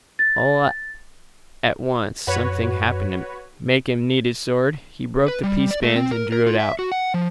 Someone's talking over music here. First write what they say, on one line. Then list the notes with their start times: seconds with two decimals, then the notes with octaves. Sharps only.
If all at once something happened to make him need his sword, he broke the peace-bands and drew it out.
0.19 A6
2.27 F#2 F#4 B4 C#5
5.28 B4
5.43 G3
5.71 D5
5.83 A3
5.96 C4
6.11 A#4
6.32 A#4
6.47 F4
6.59 E5
6.79 F#4
6.92 F#5
7.14 F3